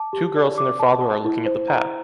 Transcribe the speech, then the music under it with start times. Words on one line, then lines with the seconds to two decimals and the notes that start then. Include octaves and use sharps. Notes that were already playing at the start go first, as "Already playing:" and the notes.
Two girls and their father are looking at the path.
Already playing: A5 D6
0.13 G4
0.36 D5
0.58 D6
0.80 A5
1.02 A5
1.25 E4
1.46 C5
1.68 A#5